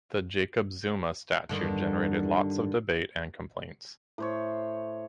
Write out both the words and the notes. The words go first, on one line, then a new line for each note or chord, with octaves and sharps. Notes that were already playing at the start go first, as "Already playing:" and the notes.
The Jacob Zuma statue generated lots of debate and complaints.
G2 D3 D#3
A2 C5 C#5